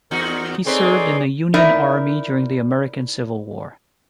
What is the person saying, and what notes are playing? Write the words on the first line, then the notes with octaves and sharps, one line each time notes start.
He served in the Union Army during the American Civil War.
E2 D#4 F#4 A#4
C4 D#4 G#4 A4 B4 C#5 D5
D#4 E4 A#4 D5 E5